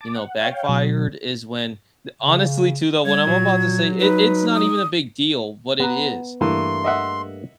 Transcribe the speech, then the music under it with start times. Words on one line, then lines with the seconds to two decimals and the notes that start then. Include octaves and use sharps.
you know, backfired is when, eh honestly too, though, what I'm about to say, it it's not even a big deal what it is,
0.01 A5 D6
0.16 F#5
0.41 C#5 F5 G5
0.68 B2 F#3
2.22 C#3
3.06 G3 G#6
3.27 A#2 F#3
4.00 D#4 B4
4.55 D#6
5.80 B3 F#5 A#5
6.41 G2 E3 A3 A#3 C6
6.84 D#5 E5 F#5